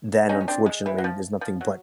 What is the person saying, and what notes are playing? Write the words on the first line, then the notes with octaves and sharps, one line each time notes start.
Then unfortunately, there's nothing but
C#4 D#4
C#4
C4 D4
G#3
E3
F#3
F3
F3
F#3